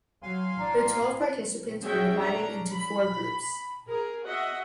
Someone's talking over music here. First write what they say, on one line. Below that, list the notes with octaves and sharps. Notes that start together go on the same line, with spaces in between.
The twelve participants were divided into four groups.
F#3 F5 G#5 C6
A1 D4 A#5
C#4 F#4 G#4 E5 G5
C#4 D4 A#5
B5
G#4 A#4
F#4 D#5 E5 F#5